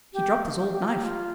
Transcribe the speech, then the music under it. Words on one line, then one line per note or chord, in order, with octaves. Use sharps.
He dropped his old knife.
G4
G4
F4
G4
F4